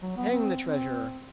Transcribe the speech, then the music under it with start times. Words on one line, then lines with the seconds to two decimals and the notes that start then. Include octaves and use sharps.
Hang the treasure!
0.02 F#3
0.17 B3
0.32 C4
0.63 C4